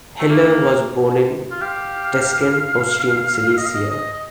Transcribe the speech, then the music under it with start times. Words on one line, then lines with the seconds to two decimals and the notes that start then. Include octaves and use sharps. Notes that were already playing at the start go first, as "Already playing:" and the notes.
Heller was born in Teschen, Austrian Silesia.
0.19 A3
0.30 A#3
1.51 F4
1.61 G4 F5
3.58 D#5
3.66 F5
3.74 D#5
3.91 D#5
4.12 D#5